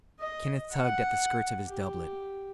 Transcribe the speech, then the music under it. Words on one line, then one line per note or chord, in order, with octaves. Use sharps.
Kenneth tugged at the skirts of his doublet.
D#5
F#5
G4